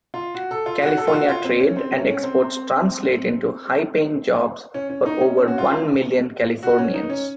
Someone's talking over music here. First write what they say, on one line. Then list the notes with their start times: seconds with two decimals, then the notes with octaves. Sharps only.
California trade and exports translate into high-paying jobs for over one million Californians.
0.14 F4
0.35 F#4
0.51 A4
0.66 F4
0.82 F#4
0.97 A4
1.07 F4
1.13 F#4
1.28 F4
1.44 C4
1.60 C#4
1.76 C4
1.92 C#4
2.08 C#4
2.23 C4
4.74 C#4
4.90 C#4
5.06 D#4
5.21 C#4
5.37 C#4
5.48 F#4
5.58 F4
6.63 F#4
6.78 C#4
6.94 D#4
7.10 C#4